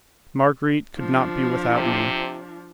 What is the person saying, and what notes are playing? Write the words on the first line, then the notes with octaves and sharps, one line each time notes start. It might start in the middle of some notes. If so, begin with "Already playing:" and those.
Marguerite could not be without me.
F3 D4
C3